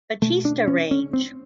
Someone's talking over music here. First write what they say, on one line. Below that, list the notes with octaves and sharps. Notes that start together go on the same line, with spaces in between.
Batista range.
B2 A3
D4
C#4
C#4
C4